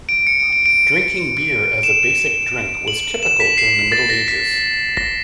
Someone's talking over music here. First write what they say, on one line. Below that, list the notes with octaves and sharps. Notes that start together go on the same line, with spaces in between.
Drinking beer as a basic drink was typical during the Middle Ages.
D7
C#7
D7
D7
D7
E7
F#7
E7
B6
C7
A6
A#6
B6
A#6